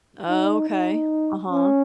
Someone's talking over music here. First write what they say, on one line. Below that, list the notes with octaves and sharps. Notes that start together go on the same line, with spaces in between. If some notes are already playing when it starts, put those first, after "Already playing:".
Okay, uh-huh.
D#4
D#4
C#4